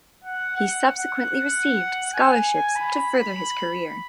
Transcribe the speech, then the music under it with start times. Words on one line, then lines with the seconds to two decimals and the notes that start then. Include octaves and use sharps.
He subsequently received scholarships to further his career.
0.24 F#5
0.56 F#5
0.87 F#5
2.14 G#5
2.76 B5